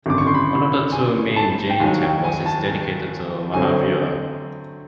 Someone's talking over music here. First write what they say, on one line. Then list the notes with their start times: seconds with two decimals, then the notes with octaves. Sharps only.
One of the two main Jain temples is dedicated to Mahavira.
0.06 G#1 F#2 D3 D6
0.18 C#6
0.27 C6
0.34 B5
0.92 G#5
1.36 A5
1.70 G5
1.80 D#2 D#3 F#3 G#5
2.02 G5
2.24 G#5
2.46 A5
2.67 G#5
3.54 D3 F#3 A3 C4 G#5